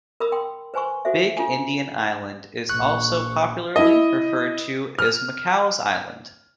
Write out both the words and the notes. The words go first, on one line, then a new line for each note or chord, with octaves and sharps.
Big Indian island is also popularly referred to as Micou's Island.
A#4 B5 D#6 E6
G5 C6
B4 C5 G#5 C6 C#6
F#4 A4 C5 E5
D4 F4 A4 G#5
A#1 C#6 F#6
E4 D#5
F6